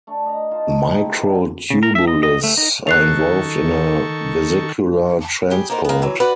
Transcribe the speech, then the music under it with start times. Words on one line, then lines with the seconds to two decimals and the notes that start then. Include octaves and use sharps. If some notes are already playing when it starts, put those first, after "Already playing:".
Microtubules are involved in vesicular transport.
0.07 A3 D4
0.26 D#5 A#5
0.51 D#4 F4 A5
0.67 A3
0.86 C4 D#4 E4
1.19 D3 G4
1.70 C#3
1.83 A#4
1.95 E5
2.07 D#5
2.23 D#5
2.44 A3
2.58 D#4
2.87 D#3 A4 C#6 F#6 C7 F7
5.50 G3 G4 G#4
5.70 A#3 B3 D#4 A#4 C5
5.85 A#3 B3
6.02 E3 F#3
6.20 F#4 B4 D5 F#5